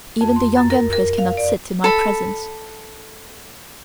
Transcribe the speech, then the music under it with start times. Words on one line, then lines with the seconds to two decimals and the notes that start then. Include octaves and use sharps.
Even the Young Empress cannot sit in my presence.
0.21 F2
0.36 C6
0.57 F#2
0.70 A#4
0.93 A#4
1.18 F5
1.37 D5
1.84 A4 B5